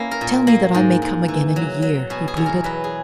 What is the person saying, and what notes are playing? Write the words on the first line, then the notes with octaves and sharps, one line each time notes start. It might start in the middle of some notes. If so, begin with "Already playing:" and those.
"Tell me that I may come again,--in a year," he pleaded.
Already playing: A#3 C#4 E4
A#4
A#2
A#3
G#2
G#2
E3
F#3
F#3
B2 G#4
G#4
E2
A#4
F#3 B4
G#4